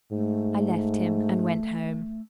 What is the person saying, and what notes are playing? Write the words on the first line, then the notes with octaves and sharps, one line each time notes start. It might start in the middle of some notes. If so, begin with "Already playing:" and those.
I left him, and went home.
G#2 A3